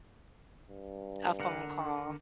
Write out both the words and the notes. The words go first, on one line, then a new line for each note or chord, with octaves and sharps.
A phone call.
G2
D3 A#4 F#5